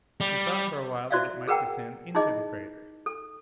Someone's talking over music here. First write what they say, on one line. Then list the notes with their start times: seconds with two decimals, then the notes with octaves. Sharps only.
We thought for a while that it might descend into the crater.
0.21 G3
1.11 E4 F#4 C5 D5 E5 F5
1.48 G#4 A#4 B4 F#5 G5 A#5
2.15 D#4 E4 G#4 D#5
3.06 A4